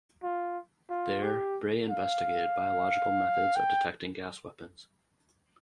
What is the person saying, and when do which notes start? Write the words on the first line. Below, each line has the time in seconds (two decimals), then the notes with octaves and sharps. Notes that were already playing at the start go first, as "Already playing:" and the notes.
There Bray investigated biological methods of detecting gas weapons.
0.23 F4
0.90 F4
1.23 G4
1.90 F5
3.56 G5